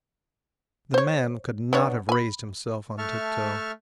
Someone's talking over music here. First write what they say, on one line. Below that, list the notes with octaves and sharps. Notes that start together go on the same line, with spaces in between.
The man could not have raised himself on tiptoe.
C5 C#5
B3 D4 C#5
G#5 B5
A3 E5 A5 C#6 F6